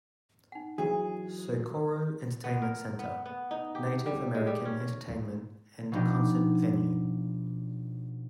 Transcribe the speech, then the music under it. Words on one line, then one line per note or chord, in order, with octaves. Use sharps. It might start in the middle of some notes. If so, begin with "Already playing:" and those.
Socorro Entertainment Center - Native American entertainment and concert venue.
D#4 F#5
E3 F#3 D4 G#4
B3
A#4
B3
B3
D#4
G4
G3
G#3
G3
C#4
B2 F3 B3 D4 D#4 G4